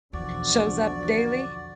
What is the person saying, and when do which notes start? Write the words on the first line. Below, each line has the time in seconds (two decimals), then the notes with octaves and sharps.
shows up daily?
0.13 B1 E2 D3 F3 F#4 D5